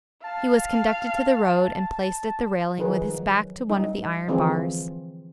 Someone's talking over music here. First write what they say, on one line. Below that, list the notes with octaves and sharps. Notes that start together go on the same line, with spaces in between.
He was conducted to the road and placed at the railing with his back to one of the iron bars.
F5 A5
D#3 F3 D#4 G#4 A#4 B4
F#3
G3 D#4
D3 E3 F3 C4 G#4